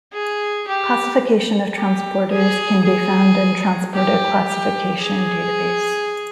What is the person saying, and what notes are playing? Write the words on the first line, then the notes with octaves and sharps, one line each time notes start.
Classification of transporters can be found in Transporter Classification Database.
G#4
G4
G4
G#4
G#4
G4
G4
G#4